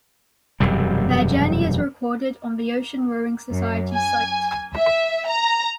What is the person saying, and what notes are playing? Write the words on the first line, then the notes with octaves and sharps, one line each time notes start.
Their journey is recorded on the Ocean Rowing Society's site.
E1 F#2 C3 G3
F#2
G#5
E5
A#5